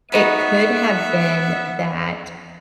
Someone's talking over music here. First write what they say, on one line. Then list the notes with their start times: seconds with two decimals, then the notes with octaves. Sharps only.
it could have been that
0.12 B3 D#4 F#4 B4 E5 F#5